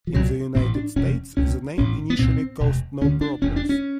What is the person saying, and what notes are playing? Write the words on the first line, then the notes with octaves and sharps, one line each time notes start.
In the United States the name initially caused no problems.
F3
C2 A#2 F#3
A1 A2 C4
D4
E1 E2 C3 C#4
C#2 C3 C#4
A1 A2 C#4
B3
C2 A#2 C4
E1 D2 C3
D2 D3 C#4
D4
F1 E2 C#3 C#4
D4
C#4